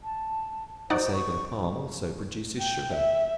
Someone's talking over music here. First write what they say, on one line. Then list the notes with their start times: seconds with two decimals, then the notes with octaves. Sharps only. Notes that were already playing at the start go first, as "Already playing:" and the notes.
The Sago Palm also produces sugar.
0.03 A5
0.90 D#4 F#4 C5 D5
1.13 C#6
2.58 G5
2.93 E5